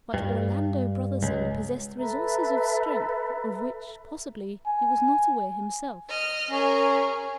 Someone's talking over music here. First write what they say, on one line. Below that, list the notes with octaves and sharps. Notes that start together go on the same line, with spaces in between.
But Orlando Brotherson possessed resources of strength of which, possibly, he was not aware himself.
G2
C#2
A4 B4 E5 A#5
G#5
D#5 F6
C#4 G#4 A#4